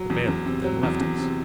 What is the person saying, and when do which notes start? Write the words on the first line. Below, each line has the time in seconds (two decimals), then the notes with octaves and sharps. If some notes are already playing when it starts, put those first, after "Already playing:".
The bailiff then left us.
Already playing: F#3
0.10 E2
0.28 E2
0.46 C3
0.64 F#3
0.83 E2
1.00 E2
1.18 C3